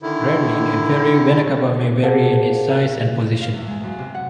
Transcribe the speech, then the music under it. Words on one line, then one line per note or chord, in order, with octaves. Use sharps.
Rarely, the inferior vena cava may vary in its size and position.
D3 D#3 E4
G#4 A#4 C5 F5 F#5 A5
F5
E2
G#3
F#2
C3
F#5